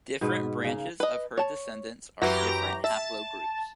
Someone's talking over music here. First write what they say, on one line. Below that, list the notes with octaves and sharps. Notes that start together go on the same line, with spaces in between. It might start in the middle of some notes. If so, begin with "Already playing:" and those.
Different branches of her descendants are different haplogroups.
G#2 B2 B4
C#3 A#3
B4 D#5
C#5 A5
F#2 E3 E4 F#4 G4 A#5
E5 A5